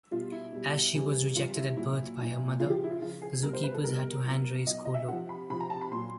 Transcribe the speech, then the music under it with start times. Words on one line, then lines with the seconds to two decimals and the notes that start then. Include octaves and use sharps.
As she was rejected at birth by her mother, zookeepers had to hand-raise Colo.
0.11 B2 G3 F4
0.32 E4
0.53 B2 G3
0.94 C3 E3 G3
1.36 C3 E3 G3 F4
1.56 E4
1.77 A#2 F#3 E4
2.18 A#2 F#3
2.60 C#3 F3 F4
2.70 G4
2.84 E4
2.91 F4
3.01 C#3 F3 F4
3.22 G#4
3.42 B2 G3 A#4
3.53 C5
3.64 B4
3.74 A4
3.84 B2 G3 A#4
4.26 B2 F#3
4.67 B2 F#3 D#5
4.85 D#5
4.94 E5
5.08 C3 F3 F#5
5.29 B5
5.50 C3 F3 B5
5.60 A#5
5.70 A5
5.81 B5
5.92 A#2 F#3 C6